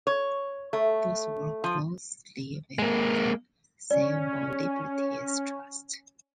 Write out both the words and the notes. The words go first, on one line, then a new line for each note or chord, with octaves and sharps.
Both work closely with the Civil Liberties Trust.
C#5
A3
F3
G#3 A#3
C#4 D5